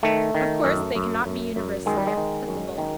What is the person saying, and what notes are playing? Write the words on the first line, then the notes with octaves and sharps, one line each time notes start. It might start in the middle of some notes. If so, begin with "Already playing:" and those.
Of course, they cannot be universally applicable.
D#3 A3
D#3
F#2
F#2
F#2
F#2
D#3 G#3
G3
G#3
D#3
F#2
D#3